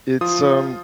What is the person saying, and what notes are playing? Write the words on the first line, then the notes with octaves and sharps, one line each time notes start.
it's, um,
F3 F4 D#6